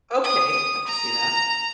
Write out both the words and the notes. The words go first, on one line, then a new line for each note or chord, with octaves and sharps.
Okay, I can see that.
D#6
A#5